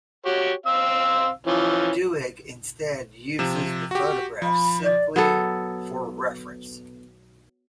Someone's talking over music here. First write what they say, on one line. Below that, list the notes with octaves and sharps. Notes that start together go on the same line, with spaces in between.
Doig instead uses the photographs simply for reference.
F#4 G4 C#5
C4 F5 E6
E3 F3 C#4
C3 F3 E7
F#4 G4
F3 B5
D5
F#3 B3 A4